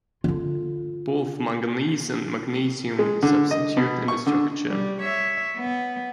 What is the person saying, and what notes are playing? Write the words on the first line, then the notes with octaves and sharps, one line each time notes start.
Both manganese and magnesium substitute in the structure.
D3 F4
G#3
D3
D#5
B2
C#6
D3
G3
C#5 E5
B3